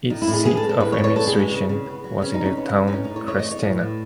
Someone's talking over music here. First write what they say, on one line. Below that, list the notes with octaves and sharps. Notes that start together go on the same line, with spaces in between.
Its seat of administration was in the town Krestena.
A2 D#4
E4
A2
G#4
B3 G#4
A4
G#3
A4
A2 B4
C#5
A2
C#5
B3 A4
G#4
G#3
F#4
C#3
C#3
B3
F#3
C#3 C#4
D#4
C#3
C#4
B3
F#3
D#4
A2 C#4
D#4
A2
C#5
A3 C#5
D#5
E3
C#5
A2
A2